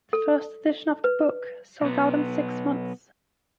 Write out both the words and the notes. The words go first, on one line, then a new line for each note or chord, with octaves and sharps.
The first edition of the book sold out in six months.
A4
B4
B1 B3